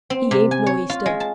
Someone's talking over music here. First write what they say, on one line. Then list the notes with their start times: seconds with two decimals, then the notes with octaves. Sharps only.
He ain't no oyster.
0.10 C4
0.31 C3
0.51 G#5
0.66 C#5
0.90 F4
1.06 G#3
1.20 A5